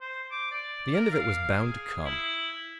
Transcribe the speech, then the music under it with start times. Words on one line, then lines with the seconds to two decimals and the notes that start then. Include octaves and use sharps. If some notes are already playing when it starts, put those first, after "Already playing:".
The end of it was bound to come.
0.01 C5
0.31 D6
0.51 D5
0.94 A#4
1.11 F5
1.59 G#4
2.06 E4